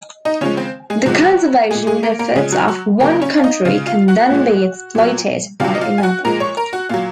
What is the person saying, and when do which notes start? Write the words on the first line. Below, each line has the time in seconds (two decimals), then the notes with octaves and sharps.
The conservation efforts of one country can then be exploited by another.
0.25 D#4 D#5
0.41 C#3 F3 G#3 C#4 C#5
0.57 C4 C5
0.90 G#3 G#4
1.06 C3 F3 F#3 G#3 F#4
1.71 A#2 G#3 G#4
1.87 G#3 G#4
2.03 A#3 A#4
2.19 A#3 A#4
2.36 C#3 F3 G#3 G#4
2.52 F#3 F#4
2.68 F#3 F#4
3.00 C#3 F#3 A#3 A#4
3.22 C#4 C#5
3.37 F5
3.44 D#4 D#5
3.65 C#3 G#3 F4 F5
3.86 F4 F5
4.08 F#4 F#5
4.30 A#2 F3 G#3
4.95 A#2 F#3
5.60 C3 F#3 F4 F5
5.75 D#5
5.81 F4 F5
5.98 G#5
6.03 F#4 F#5
6.25 A#2 F3 G#3 A#4 A#5
6.40 C#5 C#6
6.57 A#4 A#5
6.73 F#4 F#5
6.89 A#2 F#3 F4 F5